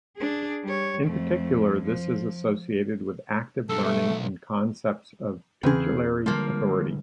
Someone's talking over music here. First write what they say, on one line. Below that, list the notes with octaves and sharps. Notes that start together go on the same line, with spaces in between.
In particular this is associated with active learning and concepts of tutelary authority.
D4 G#4
G3 C#5
F2 A3
F3
B1 A4
A3
E2 C#3 E3 C4 G#4
D3 F3 G3 G#3 A#3